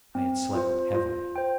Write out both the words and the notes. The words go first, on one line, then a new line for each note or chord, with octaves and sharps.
I had slept heavily.
C4
F4 C5
F4
C5 G5